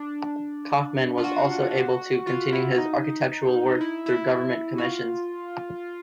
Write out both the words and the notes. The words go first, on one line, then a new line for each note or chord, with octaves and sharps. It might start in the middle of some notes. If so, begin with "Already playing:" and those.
Kaufmann was also able to continue his architectural work through government commissions.
Already playing: D4
F4
F#4
F4
E4
D#4
E4
E4
F#4
F4